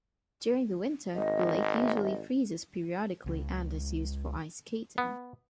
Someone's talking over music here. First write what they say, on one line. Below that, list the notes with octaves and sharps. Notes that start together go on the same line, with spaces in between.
During the winter, the lake usually freezes periodically and is used for ice skating.
G#1 D#5
C#2
B3